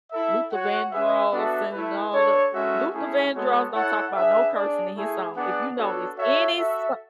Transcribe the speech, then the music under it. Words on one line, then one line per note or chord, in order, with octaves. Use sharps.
Luther Vandross and all the Luther Vandross don't talk 'bout no cursing in his song, if you notice any so
E4 A4 E5
F#4 C#5 F#5
C#4 G#4 B4 E5
B3 D4 F#4 A4 E5
A3 E4 B4
D4 A4 C#5
G#3 C#4 F#4 A4 E5
A3 C#4 E4 G#4
G#3 B3 F#4 A4 C#5
E4 A4 C#5 F#5
D4 G#4 B4 E5
D4 G#4 D5
A3 E4 G#4
B3 D4 G#4 D5 F#5
B3 D4 F#4 A4 C#5
F#4 A4 C#5 E5
F#4 A4 E5